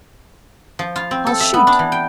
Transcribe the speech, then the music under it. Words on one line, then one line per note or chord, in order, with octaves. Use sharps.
I'll shoot!
F3
F4
C4
A4
E5
B3
D4
E3
G5